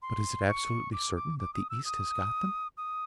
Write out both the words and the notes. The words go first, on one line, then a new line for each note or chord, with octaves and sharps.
"But is it absolutely certain that the East has got them?"
C6
C#6
D6
D6
D6
D#6
E6
D#6
D#6